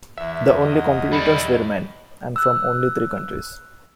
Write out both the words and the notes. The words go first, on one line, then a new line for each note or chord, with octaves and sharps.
The only competitors were men, and from only three countries.
E2 E5
D#5 F#5
G3 E4 B5
E6 F#6